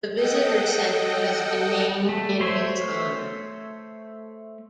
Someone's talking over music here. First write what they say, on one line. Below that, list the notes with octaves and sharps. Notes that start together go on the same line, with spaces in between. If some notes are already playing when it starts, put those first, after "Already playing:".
The visitor center has been named in his honor.
A4 D#5 F#5 G5
A3
A3 C5 C#5 E5